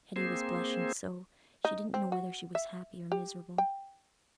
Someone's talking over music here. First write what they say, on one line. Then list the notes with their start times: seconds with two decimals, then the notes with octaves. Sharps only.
Hetty was blushing so, she didn't know whether she was happy or miserable.
0.16 A#3 C4 G#4 C5
1.65 D#4
1.94 C4
2.12 F#4
2.55 E5
3.12 G4
3.58 G5